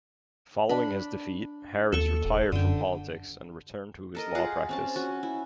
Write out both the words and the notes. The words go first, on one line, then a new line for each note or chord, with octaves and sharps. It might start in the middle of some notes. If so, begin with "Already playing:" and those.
Following his defeat, Harris retired from politics and returned to his law practice.
D4 B5
D#2 A4 C#6
E1
F#2 D3 G5
A4 A#4 D#5
F4 G#4 F#5
C4 C#4 A5
C#4 F#4
E4